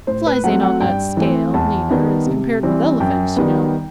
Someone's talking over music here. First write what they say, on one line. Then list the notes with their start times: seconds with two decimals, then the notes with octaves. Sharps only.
Flies an't on that scale, neither, as compared with elephants, you know!
0.07 A2 C5
0.27 B4
0.44 F#3 A3 C4 F#5
0.63 F#5
0.81 G2 G5
1.17 E3 A3 C4
1.54 E2 A5
1.90 D#3 G3 B3
2.26 C3
2.63 E3 G3 C4
3.00 F#2 G5
3.36 D#3 G3 B3